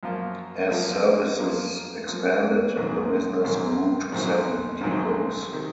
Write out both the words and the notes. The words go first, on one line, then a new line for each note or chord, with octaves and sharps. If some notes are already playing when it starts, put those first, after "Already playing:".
As services expanded the business grew to seven depots.
F#2 F3 A#3 F4
F#2 F3 A#3 F4
F#2 F3 A#3 F4
F#2 F3 A#3 F4
A#1 G#2 D#3 F#3 C4
A#1 G#2 D#3 F#3 C4
A#1 G#2 D#3 F#3 C4
A#1 G#2 D#3 F#3 C4
C3 D#3